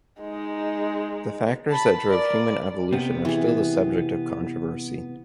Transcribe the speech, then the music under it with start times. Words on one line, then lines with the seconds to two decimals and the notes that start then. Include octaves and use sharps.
The factors that drove human evolution are still the subject of controversy.
0.20 G#3 D#4
1.70 A5 B5
2.11 A#4 D5
2.92 C3 A#3 B3
3.25 E3 G#4